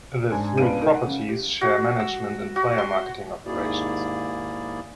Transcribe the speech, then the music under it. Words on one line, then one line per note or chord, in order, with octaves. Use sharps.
The three properties share management and player marketing operations.
G#2 D4 G#5
C#2 B3 D4 F5 D7 D#7
D#4 A#4
F#5
C#3
G4
F#4
E6
F#4
C6
D#2 G#2 A#3 E4 G#4 D5